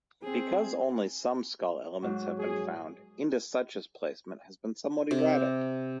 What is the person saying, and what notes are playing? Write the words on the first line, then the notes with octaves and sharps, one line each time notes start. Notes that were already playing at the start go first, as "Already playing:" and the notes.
Because only some skull elements have been found, "Indosuchus" placement has been somewhat erratic.
C4 G#4
G#2 F#3
A#1 G#4
C3